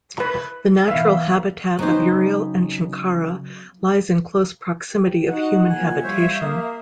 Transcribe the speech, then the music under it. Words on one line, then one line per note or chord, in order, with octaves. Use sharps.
The natural habitat of urial and chinkara lies in close proximity of human habitation.
B4
B2 E3 B3 E5 F5
C#3 F#3 B3 C4 D#4 C5
G4
D#4 F#4 F#5
F3 G#3 A#3 G#5
G3 C5 C#5 E5 F5
A#3 D#6